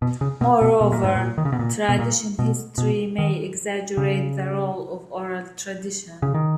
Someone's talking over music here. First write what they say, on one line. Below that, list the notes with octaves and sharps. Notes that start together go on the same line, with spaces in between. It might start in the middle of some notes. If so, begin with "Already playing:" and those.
Moreover, tradition history may exaggerate the role of oral tradition.
B2
C#3
B2
B2
B2
A#2
G#2
A#2
D#3
C#3
B2
A#2
B2
A#2
B2
B2
D#3
C#3
C#3
D#3